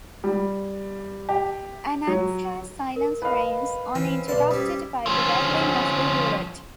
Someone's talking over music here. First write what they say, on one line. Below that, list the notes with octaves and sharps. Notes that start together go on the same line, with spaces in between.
An anxious silence reigns, only interrupted by the rattling of the roulette.
G3
G4
F#3
A#4
B4 D#5 F5
E3 C4 C#4
B1 B4 D5 A5 C6
G3 C#4 E4 C5 D#6
F3 C#4